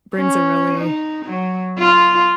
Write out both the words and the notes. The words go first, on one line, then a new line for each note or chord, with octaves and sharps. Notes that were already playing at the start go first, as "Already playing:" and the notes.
brings a really,
C#4
D#4
F#3
F4